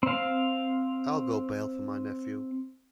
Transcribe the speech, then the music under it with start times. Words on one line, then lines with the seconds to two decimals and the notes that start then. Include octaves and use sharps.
I’ll go bail for my nephew.
0.03 C4 F5